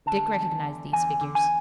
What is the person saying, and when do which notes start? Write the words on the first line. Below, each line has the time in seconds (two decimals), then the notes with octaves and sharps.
Dick recognized these figures.
0.06 D3 A5
0.35 E2
0.63 D3
0.93 E2 G#5
1.21 D3
1.35 G#5